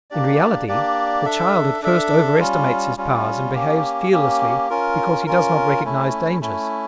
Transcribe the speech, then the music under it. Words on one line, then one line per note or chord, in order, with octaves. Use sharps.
In reality the child at first overestimates his powers and behaves fearlessly because he does not recognize dangers.
A#3 D4 G4 D5
A#3 D4 G4 D5
D4 A4 E5
D4 A4 E5
G3 C#4 F4
G3 C#4 F4
A#3 C#4 G4
A#3 C#4 G4
C#4 F4 A#4
C#4 F4 A#4
A3 C#4 E4
A3 C#4 E4